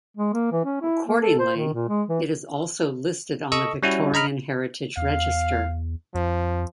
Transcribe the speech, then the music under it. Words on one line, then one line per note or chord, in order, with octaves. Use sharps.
Accordingly, it is also listed on the Victorian Heritage Register.
G#3
A#3
E3
C#4
E4
A#3
A4
C5
D#3
A#2
G#3
E3
A4 D#5 C#6 E6
G3 C#4 E4 F#4
D#5 A#5 B5 F6
E2 F5
F2 F3